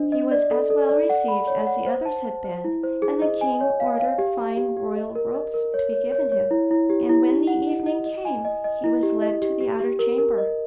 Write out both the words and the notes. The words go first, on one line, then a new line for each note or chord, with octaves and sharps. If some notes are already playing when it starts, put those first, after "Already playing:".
He was as well received as the others had been, and the king ordered fine royal robes to be given him; and when the evening came he was led to the outer chamber.
Already playing: D4 C5 D#5
D#5
D5
A4
A4
D5
F#5
B5
C#5
F#5
C5
A5
C5
C5
E4
C5
G#4
D#5
G#5
C#5
F5
F5
G4
G4
G4
G4
D#5
A#4
D#5
A#4
C#5
C#5
C#5
C#5
E4
E4
G4
E4
G4
F#5
D#5
D#5
D#5
G#5
D#5
D#5
E4
G4
D#5
G4
G4
G4
A#4
A#4
D#5